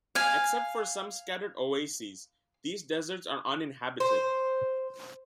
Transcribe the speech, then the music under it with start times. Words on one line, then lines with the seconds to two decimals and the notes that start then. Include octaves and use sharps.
Except for some scattered oases, these deserts are uninhabited.
0.15 F5 G#5
4.00 C5